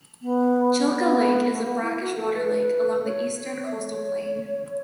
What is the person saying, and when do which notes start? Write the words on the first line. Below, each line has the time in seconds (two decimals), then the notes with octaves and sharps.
Chilka Lake is a brackish water lake along the eastern coastal plain.
0.22 B3
0.86 C#4
0.94 B3
1.52 A3
1.64 B3
1.81 E4
2.00 F#4
2.16 A4
2.34 B4
3.05 C#5
3.65 E5
3.76 C#5